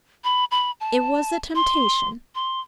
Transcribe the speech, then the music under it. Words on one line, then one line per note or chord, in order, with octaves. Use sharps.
It was a temptation.
B5
B5
A5
C6
C6